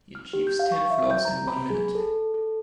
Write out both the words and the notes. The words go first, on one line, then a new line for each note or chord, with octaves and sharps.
He achieves ten floors in one minute.
F6
G4
G6
F5
C#6
E5
G6
A#5
B5
G#4
A4
A4